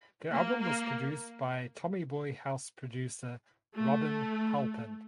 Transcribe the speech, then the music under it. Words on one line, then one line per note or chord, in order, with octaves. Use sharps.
The album was produced by Tommy Boy house producer Robin Halpin.
A#3
A#3
A3